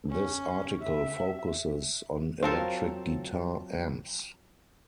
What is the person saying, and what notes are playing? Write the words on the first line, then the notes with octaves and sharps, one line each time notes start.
This article focuses on electric guitar amps.
C#4
E5
F#3 C4 F4 A4 A#4 C5 F5 A5